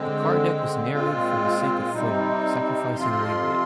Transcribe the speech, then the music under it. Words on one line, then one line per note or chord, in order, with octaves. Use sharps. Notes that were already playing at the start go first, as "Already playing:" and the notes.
The car deck was narrowed for the sake of form, sacrificing lane width.
Already playing: D3 G#3 C4
A#2 G#3 C4 F4
C3 G3 C4 D#4
F2 C3 F3 C4 F4 C6